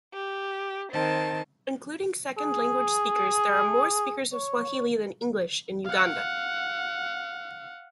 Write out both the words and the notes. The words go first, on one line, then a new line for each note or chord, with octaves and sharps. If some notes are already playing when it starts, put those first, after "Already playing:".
Including second-language speakers, there are more speakers of Swahili than English in Uganda.
G4
D#3 C4 A5
G#4
C#5
F5 F#5